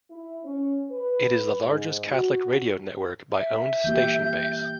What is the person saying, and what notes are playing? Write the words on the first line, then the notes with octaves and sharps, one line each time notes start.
It is the largest Catholic radio network by owned station base.
E4
C#4
B4
G#2
F#4
E5
E3 A#3 G4 G6